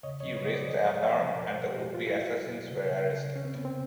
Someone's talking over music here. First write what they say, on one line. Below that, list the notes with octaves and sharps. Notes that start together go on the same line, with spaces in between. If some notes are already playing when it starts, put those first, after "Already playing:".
He raised the alarm and the would-be assassins were arrested.
C#3 C#5 D#5
C#5 D#5
F#3
B4 C#5
F#3 D#5
C5 D5
F3 D#5
D5
C#5 D#5
F3
B4 C#5
F3
B2 A#4 C5
B2
G4
B2 F#4
F4
F#3 E4 F#4
F#3
B2
C#3
C#3
C#3
D#3 C#4
C4
C3 B3
C4